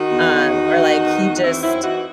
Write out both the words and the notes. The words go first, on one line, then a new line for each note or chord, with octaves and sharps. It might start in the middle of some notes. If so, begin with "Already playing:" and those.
um, or, like, he just
Already playing: D#3 D#4 F#4
E2
D#3
E2
D#3
E2
D#3
E2
F#4
E3 C4 E4
F#2 C4 E4
E3 D#4 F#4